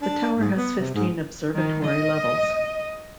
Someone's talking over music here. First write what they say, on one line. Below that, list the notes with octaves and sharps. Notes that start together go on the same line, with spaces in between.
The tower has fifteen observatory levels.
D4
G#2
B3
C3
G#2
D#3
D#5